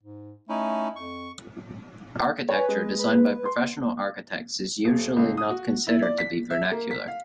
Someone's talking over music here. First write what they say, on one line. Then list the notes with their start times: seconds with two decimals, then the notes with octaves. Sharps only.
Architecture designed by professional architects is usually not considered to be vernacular.
0.03 G#2
0.49 A3 C#4 D#4 E4
0.96 F2 C#6
2.49 B4 C#5 G#5
2.68 G#3
2.99 B4
3.45 C6
4.85 D#1
5.16 C#2
5.37 D#6
5.50 F#4
5.87 E4
6.02 D5
6.18 B6
6.50 E5
6.72 A#3
6.91 B6
7.08 F5